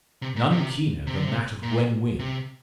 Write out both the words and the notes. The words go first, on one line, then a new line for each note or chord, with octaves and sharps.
None keener than that of Gwen Wynn.
C3
A#2
C3
C3
D3
C3
A#2
C3